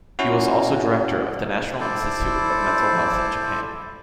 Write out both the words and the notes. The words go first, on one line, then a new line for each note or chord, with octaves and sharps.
He was also Director of the National Institute of Mental Health in Japan.
C#4 E4 F#4
E4 A4 C5 D5